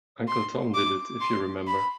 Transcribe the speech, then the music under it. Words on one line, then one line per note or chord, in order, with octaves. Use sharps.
Uncle Tom did it, if you remember.
C6
D6
C6
B5